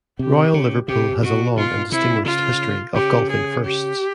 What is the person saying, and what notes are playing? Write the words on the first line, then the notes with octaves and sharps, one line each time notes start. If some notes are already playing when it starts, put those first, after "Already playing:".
Royal Liverpool has a long and distinguished history of golfing firsts.
C3 G4
C#3
C3 G4
B2 F#4
B2 F4
C3 E4
C#3 F4
C#3 G4
G#4
G4